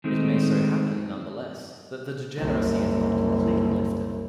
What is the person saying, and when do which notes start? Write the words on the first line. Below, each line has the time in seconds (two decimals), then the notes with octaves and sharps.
It may so happen, nonetheless, that the degeneracy is not completely lifted.
0.04 D#3 G#3 A3 C4 D#4
2.38 F#1 C2